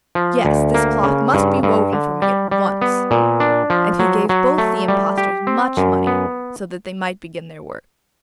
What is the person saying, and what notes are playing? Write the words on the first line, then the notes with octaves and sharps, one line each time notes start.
Yes, this cloth must be woven for me at once.' And he gave both the impostors much money, so that they might begin their work.
F3
D2
A#3
C#3
G2
G2
D3
G3
G3
B3
A#2
D4
F3
F#3
F#3
A3
G3
G4
C4
F#2
B3